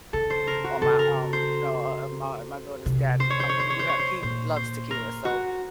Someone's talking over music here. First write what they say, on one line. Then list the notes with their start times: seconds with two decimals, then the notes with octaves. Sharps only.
Or my, um, uh, um, my my daughter's daddy will come over. "You have" he loves tequila. So
0.13 C#3 A4
0.30 C5
0.47 A#4
0.64 F#4
0.82 C#3 A4
0.99 A#4
1.33 C5
2.86 C3
3.20 C5
3.30 C#5
3.40 C5
3.49 C#5
3.59 C5
3.70 C#5
3.79 C5
3.89 C#5
3.99 C5
4.22 A#2 C5
4.56 C5
4.91 A#4
5.25 F#4